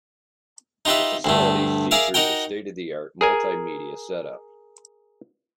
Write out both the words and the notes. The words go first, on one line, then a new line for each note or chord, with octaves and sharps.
The facility features a state-of-the-art multi-media setup.
D#4 F4 G4 B4 E5
D2 G2 A3
G#4 A#4 D5 E5 F5
D#4 F#4 A#4 G5
G#4 A#4 G#5